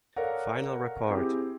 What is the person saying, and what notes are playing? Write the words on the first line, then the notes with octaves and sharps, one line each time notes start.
Final report.
A4 A#4 C#5 D5 F5 F#5
C4 E4 G4 G#4